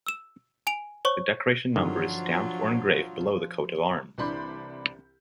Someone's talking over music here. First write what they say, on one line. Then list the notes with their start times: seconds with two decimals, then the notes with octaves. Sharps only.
The decoration number is stamped or engraved below the Coat of Arms.
0.07 E6 E7
0.67 G#5 D7 F7
1.05 C5 C#5 C#6
1.76 G2 D3 D#3 F3 F#3 D4 F4
4.18 C2 E3 D4 B5 C6 G6